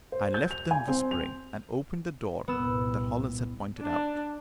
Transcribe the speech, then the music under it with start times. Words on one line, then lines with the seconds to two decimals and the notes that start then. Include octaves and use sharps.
I left them whispering, and opened the door that Hollins had pointed out.
0.12 C5
0.34 G6
0.51 F7
0.71 G#5
0.88 C4
1.11 F7
2.48 C2 G2 A#2 B3 E6
3.80 D4